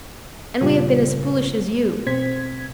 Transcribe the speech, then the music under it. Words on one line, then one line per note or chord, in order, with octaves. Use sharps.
And we have been as foolish as you.
G2 A#2 C#3 G3 F4 G4
B2 C4 C5 G#6 B6